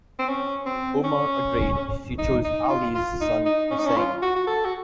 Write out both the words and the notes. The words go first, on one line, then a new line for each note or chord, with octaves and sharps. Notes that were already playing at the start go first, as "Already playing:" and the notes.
Umar agreed; she chose Ali’s son Husayn.
C4
C#4
C4
C#4
D#4
D#4
F4
F4
D#4
D#4
C#4
D#4
C#4
F4
F#4
F#4
A4
F#4